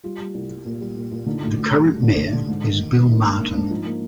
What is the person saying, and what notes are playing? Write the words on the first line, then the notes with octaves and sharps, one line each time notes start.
The current mayor is Bill Martin.
G3 F4
G3
C2
G3
A#2
G3
A#2
A#2
D3 D#4
D2
D2
G3
D2
D3
D3
D3
G#2
D#3
G#2
D#3
A#3 D#4
G#2 D4
A#3
G#2 D4
F3 D#4
A#3